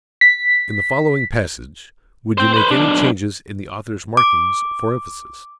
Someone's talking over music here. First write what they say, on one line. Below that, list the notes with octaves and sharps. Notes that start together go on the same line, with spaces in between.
In the following passage, would you make any changes in the author's markings for emphasis?
B6
C5 G5
B4 C5
B1 D4
D6